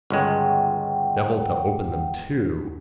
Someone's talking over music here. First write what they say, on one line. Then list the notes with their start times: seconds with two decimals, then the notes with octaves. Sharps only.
Devil to open them too.
0.10 G1 C#2 G#3 F#5 G5